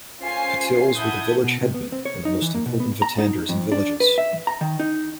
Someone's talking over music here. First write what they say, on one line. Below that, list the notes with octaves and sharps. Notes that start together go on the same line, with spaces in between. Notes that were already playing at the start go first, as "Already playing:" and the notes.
Patils were the village headmen and the most important vatandars in villages.
C#4 F4 C5 G#5 C7
E4 F#5 A5 D#6 G6 G#6
B2
C3
B3
C4
C#5
D#4
E3
A#3
B2
B3
A#5
D#4
F2
D4
B4
E5
A#5
D#3
D#4